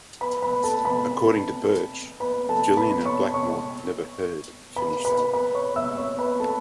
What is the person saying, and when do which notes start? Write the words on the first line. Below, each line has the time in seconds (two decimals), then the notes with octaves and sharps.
According to Birch, Gillan and Blackmore have never heard the finished album.
0.21 B4 B5
0.42 B4 B5
0.64 A4 A5
0.85 B4 B5
2.20 B4 B5
2.49 A4 A5
2.77 B4 B5
3.05 C#5 C#6
3.34 C#5 C#6
4.76 B4 B5
5.05 B4 B5
5.33 B4 B5
5.55 C#5 C#6
5.76 E5 E6
5.97 C#5 C#6
6.19 B4 B5
6.40 A4 A5